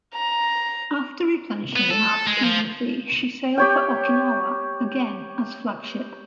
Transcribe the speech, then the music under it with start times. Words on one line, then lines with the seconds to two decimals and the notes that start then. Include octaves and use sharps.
After replenishing at Ulithi, she sailed for Okinawa, again as flagship.
0.14 A#5
1.76 B3
1.91 A4
2.27 G#3
2.43 F3
3.58 G4 C#5 G5